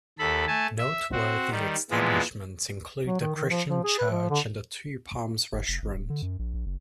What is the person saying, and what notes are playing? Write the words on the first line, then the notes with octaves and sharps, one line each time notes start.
Noteworthy establishments include the Christian Church and the Two Palms Restaurant.
D#2 A4 B5
A3 G#5 A5
E5
C4 F#4
D#3 G3
A#2 E3 F3 G#3 B3
F#3
D#3
D#3
F3
F3
G#4
B4
F3
D3
G1
F1
G#1
D1
D3
F#2
A#1
A#1
F#1